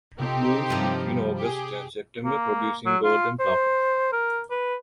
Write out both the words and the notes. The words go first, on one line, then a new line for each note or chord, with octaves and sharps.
It blooms between August and September producing golden flowers.
C3 C4 D#4 F4 G4 A4
G2 F3 A5 D6
G4 G#4
A#3
F#3
F4
C5
A#4
B4